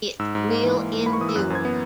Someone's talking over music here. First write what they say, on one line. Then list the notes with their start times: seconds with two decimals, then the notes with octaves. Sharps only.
It Will Endure.
0.19 G#2 E6
0.35 G#2
0.49 A#3
0.63 E3
0.78 G#2
0.93 G#2
1.06 A#3 B5
1.13 C#6
1.21 E3 D#6
1.29 E6
1.36 F#2 F#6
1.50 F#2 G#6
1.65 B3